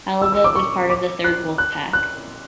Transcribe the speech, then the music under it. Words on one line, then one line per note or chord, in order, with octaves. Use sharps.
"Halibut" was part of the third wolf pack.
E6
E6
D6
C#6
D6
F#6
F#6
F#6